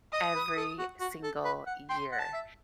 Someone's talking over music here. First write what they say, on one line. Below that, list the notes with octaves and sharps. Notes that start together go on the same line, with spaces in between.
every single year,
D#5 D#6
B4
A4
F#4
F#4
A4
B4
F#5
G5 C6
F#5
A5
E5